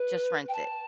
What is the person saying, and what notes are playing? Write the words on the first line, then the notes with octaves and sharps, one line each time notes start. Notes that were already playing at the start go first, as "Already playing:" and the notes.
Just rinse it.
Already playing: B4
G5
A5